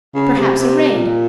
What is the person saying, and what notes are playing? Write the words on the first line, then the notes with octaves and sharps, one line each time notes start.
Perhaps a raid!
C#3
C3
C3
A#2